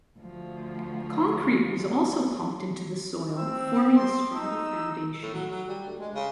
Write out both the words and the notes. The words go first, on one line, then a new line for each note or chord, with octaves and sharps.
Concrete was also pumped into the soil forming a stronger foundation.
D2 F3
C4 E6
C6
D#4 E6
A2
F#3
F#3
G3
D2
G#3
C#3